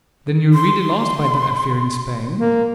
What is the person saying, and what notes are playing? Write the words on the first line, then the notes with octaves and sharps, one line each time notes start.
"Then you really lost by that affair in Spain?"
C6
A#3